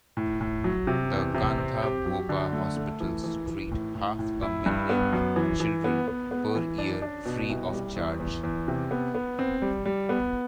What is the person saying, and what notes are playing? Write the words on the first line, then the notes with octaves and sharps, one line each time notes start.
The Kantha Bopha hospitals treat half a million children per year free of charge.
A2
A2
F#3
C3
E2
C3
C4
G4
F#3
D3
A3
A3
E3
E3
E3
A2
A2
A2
E4
G2
B3
F#2
E3
E3
B3
B3
B3
E3
D4
D4
B2
C2
G3
E2
E2
E2
C3
B3
B3
C4
G3
G3
B3